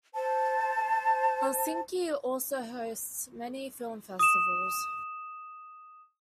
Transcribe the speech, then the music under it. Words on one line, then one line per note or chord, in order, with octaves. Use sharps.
Helsinki also hosts many film festivals.
C5 A5
D#6 E7